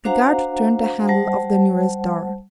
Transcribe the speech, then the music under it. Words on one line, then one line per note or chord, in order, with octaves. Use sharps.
The guard turned the handle of the nearest door.
D4 F#4 C5 F5 F#5 A#5
G3 C5 F#5 A5